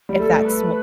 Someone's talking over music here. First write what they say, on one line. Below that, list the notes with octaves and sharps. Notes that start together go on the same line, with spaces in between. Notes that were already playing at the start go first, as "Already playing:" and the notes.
if that's wh
G3
A3 A4
B4